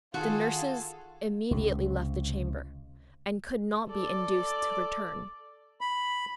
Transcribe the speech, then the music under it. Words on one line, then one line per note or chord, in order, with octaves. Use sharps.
The nurses immediately left the chamber, and could not be induced to return.
D#3 F4 F#4 G#4 A4
C#2 C3
A4 D5
B5